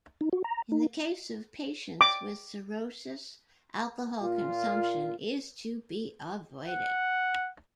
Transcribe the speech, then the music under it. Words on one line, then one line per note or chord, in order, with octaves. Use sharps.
In the case of patients with cirrhosis, alcohol consumption is to be avoided.
D#4
F#4
A#5
D#4
D6
A#2 F4
F#5